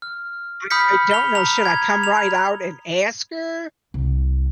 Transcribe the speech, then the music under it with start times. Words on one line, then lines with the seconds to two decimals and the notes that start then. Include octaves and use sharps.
I I don't know, should I come right out and ask her?
0.02 F6
0.70 B5 D#6 F6 G6 B6 C#7
1.11 F7 G7
1.35 A#5 F7
1.65 G#6
2.03 F7
3.94 C2